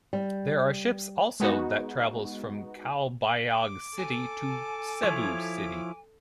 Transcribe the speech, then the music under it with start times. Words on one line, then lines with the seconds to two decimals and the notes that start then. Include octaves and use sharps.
There are ships also that travels from Calbayog City to Cebu City.
0.13 G3
1.40 G#3 B3 D#4 F#4
3.54 D6
3.98 A4 G#5
5.03 F3 E4 C#5